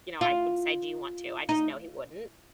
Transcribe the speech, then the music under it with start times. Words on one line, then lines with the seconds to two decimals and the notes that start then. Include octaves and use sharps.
you know, I would say, "Do you want to?" I just know he wouldn't.
0.21 F4
1.49 D#4